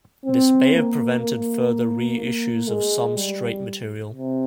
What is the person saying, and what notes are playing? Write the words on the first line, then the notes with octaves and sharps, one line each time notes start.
This may have prevented further re-issues of some Straight material.
C4
A#3
A#3
A#3
G#3
G3
C3